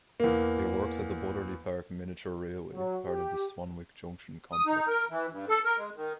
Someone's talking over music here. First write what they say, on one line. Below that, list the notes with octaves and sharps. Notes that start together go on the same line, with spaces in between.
It works at the Butterley Park Miniature Railway, part of the Swanwick Junction complex.
E2 A#3
F#3
G4
D#6
D#4
A#4
E3
G2
A4
A#4
G#3
D#3